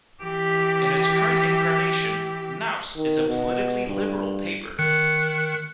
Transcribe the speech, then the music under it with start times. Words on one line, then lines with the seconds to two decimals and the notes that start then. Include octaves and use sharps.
In its current incarnation, "Nouse" is a politically liberal paper.
0.23 E3 G4
2.96 D#3
3.26 B2
3.86 G2
4.79 D#3 F#6 C#7